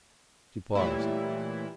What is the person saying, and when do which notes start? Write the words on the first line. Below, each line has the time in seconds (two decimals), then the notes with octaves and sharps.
She paused.
0.75 A#2 E3 G3 A3 E4 C#5